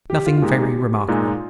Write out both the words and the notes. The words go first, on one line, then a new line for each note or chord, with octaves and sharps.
Nothing very remarkable.
G4
F4
F4
A#2 G#3 D#4 G4
A#2 G#3 D#4 F4